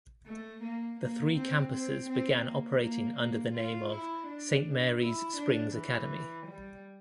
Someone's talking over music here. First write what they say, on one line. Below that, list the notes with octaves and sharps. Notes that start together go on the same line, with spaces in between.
The three campuses began operating under the name of Saint Mary's Springs Academy.
A3
A#3
A#3
C4
C4
C4
A#3
A#3
A#3
F4
E4
D4
E4
D4
E3
G3